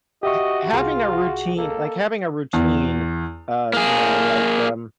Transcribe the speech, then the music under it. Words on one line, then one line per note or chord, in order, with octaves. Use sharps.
h having a routine like, having a routine, uh, you know, like, um,
F#4 G4 D#5 E5 C#6
C2 F4 G#4
F#4
A#3 A4
E2
A#3 G#4